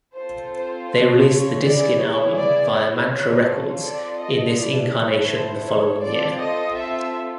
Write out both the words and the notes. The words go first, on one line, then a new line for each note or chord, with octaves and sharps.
They released the "Diskin" album via Mantra Records in this incarnation the following year.
C4 F4 A4 C5
C5
C5
C#5
B3 E4 G#4 D5
C#5
D5
C#5
C4 F4 A4 C#5
C#5
D5
D#5
B3 E4 A4 D5
C#5
C5
C#5
C4 F4 A4 D5
D#5
E5